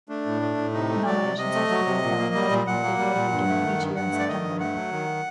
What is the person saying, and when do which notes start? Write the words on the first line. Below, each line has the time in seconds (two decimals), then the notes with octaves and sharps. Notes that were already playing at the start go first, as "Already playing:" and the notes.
Nominations are submitted by invited individuals beginning each year in September.
0.09 A3 D4
0.26 A2
0.42 A3
0.57 A2
0.74 C3 D#4
0.89 A3
1.06 F#3 D5
1.22 C3
1.38 C3 D#5
1.54 A3
1.70 F#3
1.87 C3
2.02 A#2
2.19 A#3
2.35 G3
2.51 A#2
2.67 A#2 F#5
2.84 A#3
2.99 G3
3.15 A#2
3.32 G2
3.48 A3
3.64 D#3
3.80 G2
3.95 G2 F#5
4.12 A3
4.19 D5
4.28 D#3 D#5
4.44 G2
4.60 A3 F#5
4.76 F#3
4.92 D#3